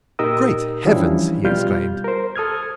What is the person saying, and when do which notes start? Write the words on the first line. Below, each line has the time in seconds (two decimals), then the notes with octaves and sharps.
"Great Heavens!" he exclaimed.
0.19 A#2 D#4 G4 A#4 D#6 E6
0.85 E3 F3 G3 C#4 D4 E4
1.44 B2 G3 F4 G4 F6 G6
2.04 A#4 C5
2.36 A4 D#6 F6 G#6